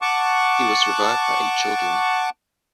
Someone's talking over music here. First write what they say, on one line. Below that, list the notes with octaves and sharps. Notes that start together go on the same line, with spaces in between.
He was survived by eight children.
F#5 A5 C#6 D6